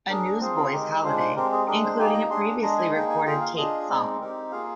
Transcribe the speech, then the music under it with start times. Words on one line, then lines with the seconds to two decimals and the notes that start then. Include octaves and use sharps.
A Newsboys Holiday, including a previously recorded Tait song.
0.09 D4 G#4 A#4
0.41 C4 F4 G#4 C5
0.57 A#4
0.72 G#3 D#4 G4 A#4
1.04 G#3 D4 F4 C5
1.19 C5
1.36 G#3 C4 G4 A#4
1.52 G#4
1.67 G#3 D4 G#4 A#4
1.84 C5
1.98 A#3 D#4 G4 G#5
2.14 A#5
2.30 D4 G#4 C6
2.62 G#3 D4 G#4 A#5
2.78 G#5
2.94 A#3 D#4 G#4 G5
3.10 G#5
3.25 A#3 F4 G#4 G5
3.41 F5
3.57 D4 F4 G#4 D#5
3.89 G#3 C4 D#4 D5
4.21 C4 D#4 G4 A#4
4.52 A#3 F4 G#4 F5